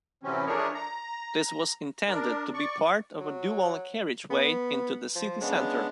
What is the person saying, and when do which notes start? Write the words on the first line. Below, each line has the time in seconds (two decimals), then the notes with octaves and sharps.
This was intended to be part of a dual carriageway into the city centre.
0.23 A2 C3 E3 F#3 C4 C#4
0.46 F3 A3 D4 G#4 A#4 C#5
0.74 A#5
2.08 D4 A#4
2.54 D5 C#6
3.20 F#3
4.30 B3
5.15 F3
5.41 C#3 G#3 B3 D4